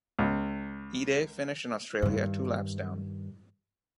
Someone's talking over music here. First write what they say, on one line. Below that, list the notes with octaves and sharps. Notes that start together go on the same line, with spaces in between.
Ide finished in Australia, two laps down.
C#2
G2 D#3